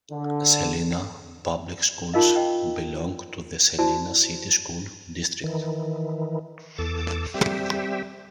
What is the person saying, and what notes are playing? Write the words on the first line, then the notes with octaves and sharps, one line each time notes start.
Celina Public Schools belong to the Celina City School District.
D3
D#4 F4 G#4 A#4 D#5 F5
D#5 G5
E4 F#4 C5 D5 A5
D#3 E3
E2 A4 D6
G3 C4 G4 E5